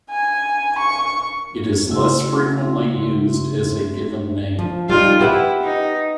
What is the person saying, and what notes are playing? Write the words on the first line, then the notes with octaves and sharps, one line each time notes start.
It is less frequently used as a given name.
G#5
C#6
C#3 A3 E4 F#4 C6
F3
G3 D#4 F4
E4 G4 B4 F#5
D#4